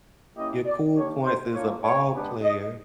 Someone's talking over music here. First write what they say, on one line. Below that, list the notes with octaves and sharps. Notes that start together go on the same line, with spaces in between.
your cool points as a ball player
A#3 C#4 E4 G4 D#5
D5
A#3 D4 G4 C#5
C5
A#3 D4 F4 C#5
C#5
G#3 B3 D4 G4
D#5